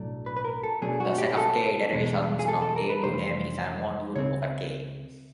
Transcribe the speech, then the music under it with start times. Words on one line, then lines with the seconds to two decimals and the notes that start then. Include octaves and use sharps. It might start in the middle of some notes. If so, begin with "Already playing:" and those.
The set of "k"-derivations from "A" to "M", is a module over "k".
Already playing: B1 A2 F#3 A3 D4
0.26 B4
0.37 B4
0.45 A#4
0.63 A4
0.82 B2 F#3 A3 D4 G#4
1.00 F#4
1.18 G4
1.33 G#4
1.37 A4
1.92 E2 B2 G#3
2.39 G#4
2.48 A4
2.62 A4
2.76 A#4
2.90 B4
3.03 F2 C3 E3 A3 C5
4.15 C#2 C#3 C4 C#5